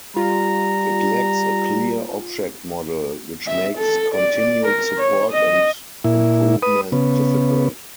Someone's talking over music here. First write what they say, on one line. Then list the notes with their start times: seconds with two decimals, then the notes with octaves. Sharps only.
It lacks a clear object model, which makes continued support and improvement difficult.
0.17 G3 F4 A#5
3.47 E5
3.78 A4
4.15 D5
4.64 A#4
4.98 C#5
5.32 D#5
6.04 A#2 E4
6.62 B4 D#6
6.92 C#3 B3